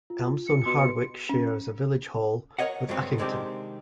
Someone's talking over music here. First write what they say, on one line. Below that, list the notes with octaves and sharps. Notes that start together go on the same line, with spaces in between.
Elmstone Hardwicke shares a village hall with Uckington.
F4
C#7
B2 C6
C#4
A#4 B4 C#5 D#5 F#5
G2 F#3 G#3 B3 C4
C3 D#3 G#3 C4 D4 G4